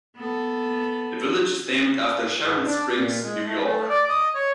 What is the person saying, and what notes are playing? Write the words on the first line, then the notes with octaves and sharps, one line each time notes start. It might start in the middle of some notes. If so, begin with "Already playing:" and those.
The village is named after Sharon Springs, New York.
B3 A4
G#2
D4
A#2
G#3
A3
A3
D5
D#5
C#5